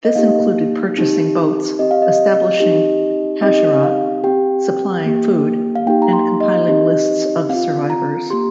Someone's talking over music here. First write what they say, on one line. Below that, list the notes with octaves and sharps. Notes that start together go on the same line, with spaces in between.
This included purchasing boats, establishing hachsharot, supplying food and compiling lists of survivors.
D#5
A#3 D#4 G4 F5
C4 D#4 G4
C4 G4 D#5
F5
D#5
C4 D#4 G4
C4 D#4 G4 D#5
F5
C4 G4 G5
A#3 G4
F5
A#3 D#4 G4 G5
A#5
C6
D#5
C4 D#4 G4
C4 F4 F5
A#5
A#3 G4 C6